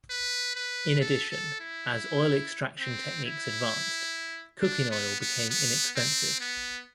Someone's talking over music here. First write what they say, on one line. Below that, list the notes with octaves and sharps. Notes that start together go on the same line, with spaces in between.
In addition, as oil extraction techniques advanced, cooking oil became inexpensive.
B4
B4
A4
A4
E4
C4
E4
D4
B3
B3
B3
C4
B3